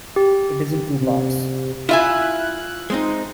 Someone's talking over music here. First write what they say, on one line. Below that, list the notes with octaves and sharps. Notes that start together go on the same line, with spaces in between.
It is in two parts.
G4
C3
E4 F4 E5 G#5 F#6
G#3 C4 D#4